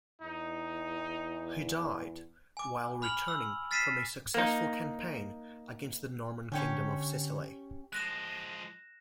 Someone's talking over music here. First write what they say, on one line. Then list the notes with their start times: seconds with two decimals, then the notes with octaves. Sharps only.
He died while returning from a successful campaign against the Norman Kingdom of Sicily.
0.22 E2 D#4
2.57 G#5 D6
3.02 B5 F6 F7 F#7
3.28 E6
3.71 F6 A6 B6 C7 D#7 E7
4.34 A#3 D#4
6.52 D3 C#4 G4 C#5
7.93 F3 G#3 F#6 A#6 E7